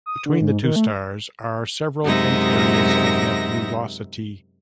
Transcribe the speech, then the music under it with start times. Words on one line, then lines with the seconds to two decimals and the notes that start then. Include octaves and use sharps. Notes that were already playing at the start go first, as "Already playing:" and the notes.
Between the two stars are several faint areas of nebulosity.
0.06 D#6
0.26 D3
0.41 G#2
0.63 D#3
0.76 A3
2.03 F#2 C3 G#3 D#4 E5 A#6